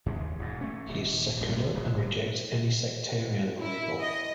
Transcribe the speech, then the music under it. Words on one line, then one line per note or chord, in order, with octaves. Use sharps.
He is secular and rejects any sectarian label.
D#2 C#3 G#3
E1 G#2
A3 C#4
D#1
A#1 F#2 G3
D1 G1 G#2 G#3
E4
D#5